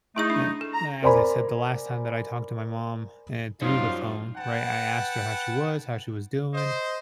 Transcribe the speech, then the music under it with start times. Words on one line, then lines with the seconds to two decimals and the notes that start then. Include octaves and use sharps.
eh, a as I said the last time that I talked to my mom and through the phone, right, I asked her how she was, how she was doing,
0.16 A3 D#4 E4 G#4 C#6
0.30 D4
0.61 A4
0.73 A#5
1.03 A#4 C5 D5 G#5 A#5 B5
3.61 F#2 F3 G3 D#4 F4 C5 C#5
4.37 B4 F#5 G5 A5
6.54 C5 D#5